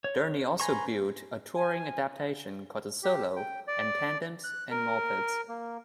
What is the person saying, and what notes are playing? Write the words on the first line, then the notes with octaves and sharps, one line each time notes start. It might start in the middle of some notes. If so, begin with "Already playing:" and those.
Derny also built a touring adaptation called the 'Solo' and tandems and mopeds.
C#5
B4 G#5 A#5 C6 C#6
G#5
G4
G5
D5
F#6
A#4
A#3